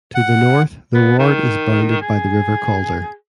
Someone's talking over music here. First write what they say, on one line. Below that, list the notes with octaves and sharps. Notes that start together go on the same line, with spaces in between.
To the north the ward is bounded by the River Calder.
F#5
B3
D#3
G#4